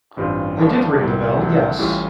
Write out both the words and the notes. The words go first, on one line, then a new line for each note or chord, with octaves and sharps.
I did ring the bell, yes.
A1 G2 G3 C4 F4
G1 G2 D3 F3
C2 C3 G3
C2 C3 A3
A1 A2 G3 F4